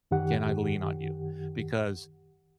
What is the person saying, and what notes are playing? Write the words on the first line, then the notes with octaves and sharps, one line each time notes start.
Can I lean on you? Because
F#2 D#3 G4 F#5